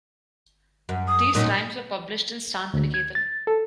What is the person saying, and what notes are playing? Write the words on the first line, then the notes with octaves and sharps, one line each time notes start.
These rhymes were published in Santiniketan.
F#2
D#6
A#2 F#3 C#4 D#4
D2
G#6
A6
A4